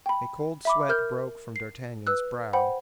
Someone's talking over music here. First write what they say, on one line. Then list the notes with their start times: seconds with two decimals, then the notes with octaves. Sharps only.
A cold sweat broke from d'Artagnan's brow.
0.06 G5 B5
0.65 E5 B5 D6
0.89 A#4 F6 G6
1.56 C7
2.07 B4 E6 F#6
2.53 C5 F#5 G5 B5